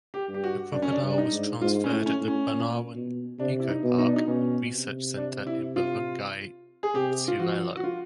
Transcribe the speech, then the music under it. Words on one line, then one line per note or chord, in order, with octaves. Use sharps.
The crocodile was transferred at the Bunawan Eco-Park and Research Center in Barangay Consuelo.
G4
G2
G4
F#4
F#2 D4
C#4
D4
G2
D4
D#4
G#2
G#2 F4
C#4
A2
C#4
A2
C#4
A#2
B2
C3 D4
E4
D#4
B2
D#4
D4
D#4
B2 C#4
C3
D4
E4
F4
G#4
C3 G4
F4
F3 F#4
F#4
F4